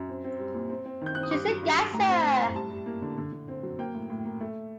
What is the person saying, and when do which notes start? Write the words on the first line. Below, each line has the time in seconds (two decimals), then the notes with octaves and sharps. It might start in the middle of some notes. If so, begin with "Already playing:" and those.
She's a gasser!
Already playing: F#2
0.09 C4
0.24 C4
0.39 G3
0.55 A#2
0.70 C4
0.86 C4
1.02 D#3 G6
1.15 C4 F#6
1.23 D#6
1.31 G2 D6
1.47 F#3
1.63 G2
1.79 G2
1.93 A2 A#5
2.09 C4
2.24 A2
2.33 C6
2.40 A2 A#5
2.55 G3 A5
2.71 G3
2.86 A#3
3.02 D3
3.18 D3
3.32 D3
3.48 C4
3.63 F#3
3.79 A#3 G5
3.95 A2
4.10 A2
4.25 A#3
4.41 A3